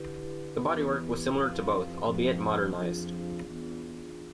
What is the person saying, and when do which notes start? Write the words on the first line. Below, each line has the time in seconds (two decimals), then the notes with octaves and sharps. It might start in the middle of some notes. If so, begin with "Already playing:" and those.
The bodywork was similar to both, albeit modernised.
Already playing: D3 E4 G4 B4
0.62 E2 E3
1.34 F2 F3
2.04 F2 F3
2.75 F2 F3 D4 F4 G#4
3.46 E2 E3